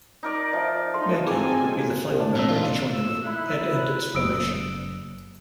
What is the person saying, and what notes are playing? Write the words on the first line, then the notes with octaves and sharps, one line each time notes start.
Natti would be the final member to join the group and end its formation.
D#4 A#4 D5
F3 D#5 E5
D#4 A4 C6
C4 E4 G#4 A4 G#5 D6
C2
D4 E4
A#2 C4 E6
A#2 E3 D#4 F4
E6
D#4 E4 F#6
F#1 D#6 E6 D7